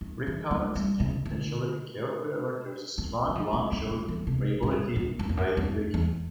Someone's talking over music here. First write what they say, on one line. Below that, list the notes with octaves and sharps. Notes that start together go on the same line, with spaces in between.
Rip currents can potentially occur wherever there is strong longshore variability in wave breaking.
D#3
E3
F#3
G3
C#3
D3
D#3
F#3
F3
E3
D#3
D#3
E3
C3
G#2
G2
F#2
F#2
F2
F#2
F2
E2